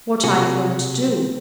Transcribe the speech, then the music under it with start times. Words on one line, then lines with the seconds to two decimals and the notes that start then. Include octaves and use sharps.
What are you going to do?
0.24 B1 C3 F#4 G#4